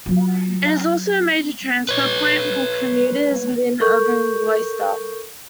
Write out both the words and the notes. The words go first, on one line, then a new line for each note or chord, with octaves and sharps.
It is also a major transfer point for commuters within urban Gloucester.
F#3 F4
B4 C#5
A4 A#4 C#6 G6